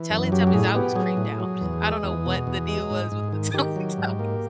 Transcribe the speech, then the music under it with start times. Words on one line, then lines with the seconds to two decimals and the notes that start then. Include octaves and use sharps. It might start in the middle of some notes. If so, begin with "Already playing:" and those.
Teletubbies, I was creeped out, I don't know what the deal was with the Teletubbies.
Already playing: E3
0.10 F#2
0.32 F#3 G4
0.47 G4
0.53 A2 G#4
0.75 B3 G4
0.96 F#3 G#4
1.17 A2
1.40 F#3
1.61 E2
1.83 G#3
2.03 E2
2.26 B2
2.47 E2
2.69 G#3
2.90 G#2
3.12 G#2
3.33 D#3
3.54 D#3 G4
3.76 F#3
3.98 G#2
4.19 A#3